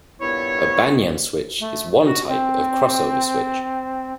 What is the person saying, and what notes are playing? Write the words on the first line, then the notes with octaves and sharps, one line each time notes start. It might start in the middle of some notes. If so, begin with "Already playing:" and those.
A banyan switch is one type of cross-over switch.
G2 A#2 B3 E4 C#5
A3
F#4
C4